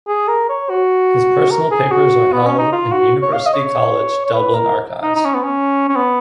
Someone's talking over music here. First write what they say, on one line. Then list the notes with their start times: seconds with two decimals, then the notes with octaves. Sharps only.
His personal papers are held in University College Dublin Archives.
0.08 G#4
0.28 A#4
0.50 C#5
0.70 F#4
1.51 A#4
1.71 G#4
1.91 F#4
2.33 B3
2.46 C#4
2.59 D#4
2.73 F4
2.93 F#4
3.22 C#5
3.33 F5
3.46 D#5
3.54 C#5
4.26 C#5
4.34 B4
4.54 A#4
5.03 D#4
5.16 D#4
5.25 C#4
5.35 B3
5.44 C#4
5.89 C#4
5.96 B3